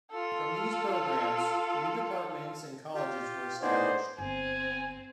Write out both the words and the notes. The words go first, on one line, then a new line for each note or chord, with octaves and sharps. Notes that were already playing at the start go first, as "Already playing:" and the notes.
From these programs, new departments and colleges were established.
F4 A4
F4 G4
A2 B3 D4 D#4 G#4 C5 D5
G1 C4 G#5